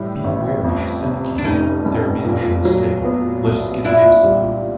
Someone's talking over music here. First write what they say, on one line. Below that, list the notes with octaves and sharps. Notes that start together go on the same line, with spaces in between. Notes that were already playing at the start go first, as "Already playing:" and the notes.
"Be wary," said the king, "there are men within the stable, let us get at them somehow."
Already playing: A2 E3 G3
A1
F2
C3
D4
F1 C#4 D#4
F1
A#2
F#3
B3
C2
A#2 D4 E4
G3